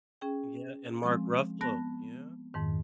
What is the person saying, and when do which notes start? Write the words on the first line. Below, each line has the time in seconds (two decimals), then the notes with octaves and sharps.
Yeah, and Mark Ruffalo. Yeah.
0.21 C#4 G#4 G5
1.03 F3 G#3 C4
1.61 B3 A5 F#6 A#6
2.54 F2 G#2 D#3